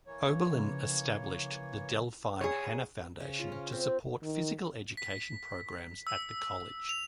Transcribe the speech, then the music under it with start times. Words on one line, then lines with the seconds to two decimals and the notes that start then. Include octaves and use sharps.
Oberlin established the Delphine Hanna Foundation to support physical education programs at the college.
0.07 E3 A#3 C#5
0.55 C#3 F3
2.41 G#4 C#5
3.20 C#3
3.39 F4
3.52 C#4
3.72 C4
4.23 D#3
4.97 B6
6.07 E6
6.89 F7